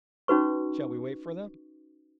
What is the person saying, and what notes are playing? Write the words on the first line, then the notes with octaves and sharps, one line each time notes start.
"Shall we wait for them?"
C#4 D#4 F#4 B4 C#6